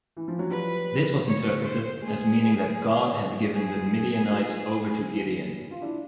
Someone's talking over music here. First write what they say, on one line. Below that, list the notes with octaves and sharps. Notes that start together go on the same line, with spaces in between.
This was interpreted as meaning that God had given the Midianites over to Gideon.
E3
F3
F#3
F3 G3 B4
C#5
C5
G#3 A#3 G#4
G#4
D#4 F4
F4
D4 E4